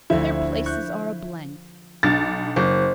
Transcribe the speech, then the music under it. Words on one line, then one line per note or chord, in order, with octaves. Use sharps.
Their places are a blank.
D2 F3 E4
C#6 F#6 G6
B1 D4 D6 F6 A6
F#1 C5 D#5